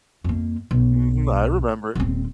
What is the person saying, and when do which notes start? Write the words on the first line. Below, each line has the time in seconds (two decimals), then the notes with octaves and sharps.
Mhm, I remember.
0.24 F2 A#3
0.71 B1
1.95 D#1 C4